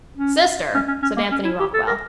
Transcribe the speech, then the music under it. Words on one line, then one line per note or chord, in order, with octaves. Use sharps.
"Sister," said Anthony Rockwall.
C#4
C#4
C#4
C#4
A#3
C#4
E4
G4
A4
A#4